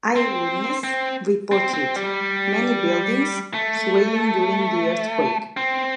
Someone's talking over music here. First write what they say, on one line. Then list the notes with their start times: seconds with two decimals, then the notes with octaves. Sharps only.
Eyewitness reported many buildings swaying during the earthquake.
0.16 C4
0.84 C4
1.52 C4
1.74 C4
1.96 G3
3.54 A3
5.57 C4